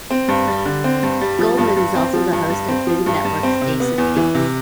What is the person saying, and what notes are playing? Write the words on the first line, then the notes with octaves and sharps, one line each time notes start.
Goldman is also the host of Food Network's Ace of Cakes.
C4
G2
G3
D3
C4
G2
G3
F3
G2
G2
C4
F3
G2
G2
C4
F3
G2
G2
C4
C3
B3
E2
E3
C3